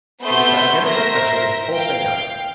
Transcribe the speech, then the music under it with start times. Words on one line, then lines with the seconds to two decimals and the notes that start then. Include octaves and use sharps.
If you decide against it, I shall give the whole thing up.
0.24 A3 B3 C5 E5 C6 G6
0.86 A#4 C5 E5 A#6
1.74 F5 G5